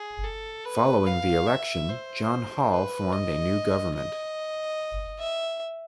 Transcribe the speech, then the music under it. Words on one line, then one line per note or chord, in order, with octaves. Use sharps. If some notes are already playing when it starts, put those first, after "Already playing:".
Following the election, John Hall formed a new government.
Already playing: G#4
A4
B4
F5
E5
C5
B4
D#5
D#5
E5